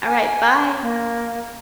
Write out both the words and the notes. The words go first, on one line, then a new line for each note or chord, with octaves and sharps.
Alright, bye.
G#5
A#3